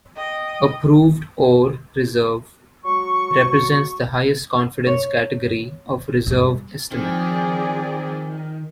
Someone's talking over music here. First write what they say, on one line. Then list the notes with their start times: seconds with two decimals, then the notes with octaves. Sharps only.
A Proved Ore Reserve represents the highest confidence category of reserve estimate.
0.17 D#5 G5
2.85 F#3 G#3 C#6
4.87 C#5
6.27 E2 G2
6.92 D#3 F3 C4 G#4 D5